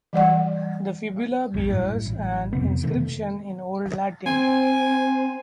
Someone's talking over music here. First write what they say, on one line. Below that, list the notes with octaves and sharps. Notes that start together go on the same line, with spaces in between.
The fibula bears an inscription in Old Latin.
E3 G3 D5 F#5
A#1 F#2
A2 G3
A1
F2 C3 B3
B2 D#3 A3 B3
C4 G#5